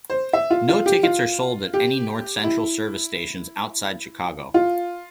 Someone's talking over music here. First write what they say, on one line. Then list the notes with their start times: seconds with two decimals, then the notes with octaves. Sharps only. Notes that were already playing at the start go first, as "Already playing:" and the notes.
No tickets are sold at any North Central Service stations outside Chicago.
0.10 C5
0.33 E5
0.50 F4
0.69 F4
0.86 G4
1.03 F4
1.74 G4
2.44 E4
4.54 F4